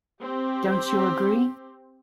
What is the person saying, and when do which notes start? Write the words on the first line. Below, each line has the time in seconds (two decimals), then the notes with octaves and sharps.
Don't you agree?
0.22 C4 G4